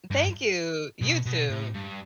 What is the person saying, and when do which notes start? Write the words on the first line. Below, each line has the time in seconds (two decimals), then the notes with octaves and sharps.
Thank you. You too.
0.11 G2
1.02 B2
1.26 B2
1.50 A2
1.75 G2